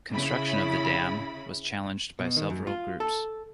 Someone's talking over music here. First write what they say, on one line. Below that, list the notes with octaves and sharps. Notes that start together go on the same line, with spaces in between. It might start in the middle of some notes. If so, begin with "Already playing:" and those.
Construction of the dam was challenged by several groups.
C#3 E4 B5
B2
D#3
F#2
F4
A4